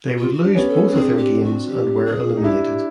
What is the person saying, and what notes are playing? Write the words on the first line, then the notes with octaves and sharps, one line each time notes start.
They would lose both of their games and were eliminated.
F4
F#4
D4 G4
B3 C#4
A4
C4 D4 G#4
G4
F#4
G4
G#4
D#4
D4 E4 G4